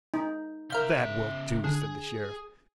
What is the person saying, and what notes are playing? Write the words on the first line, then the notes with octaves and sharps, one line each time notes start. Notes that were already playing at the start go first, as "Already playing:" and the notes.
"That will do," said the Sheriff.
D#4
C#3 A#4 E5 F5 G6
D3 G#4